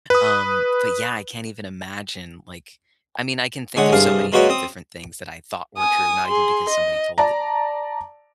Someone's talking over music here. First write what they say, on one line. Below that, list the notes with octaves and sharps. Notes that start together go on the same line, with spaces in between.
um, but yeah, I can't even imagine, like I mean, I can think of so many other different things that I thought were true, not even because somebody told the
B4 D#6
D3 G#3 C#5 F#5
C2 G2 G#4 F5
G#3 A#3 F#4 B4 C#5 D5
C4 D#6
G#5 D#6
G#4 C6
D#5
D5 A5 A#5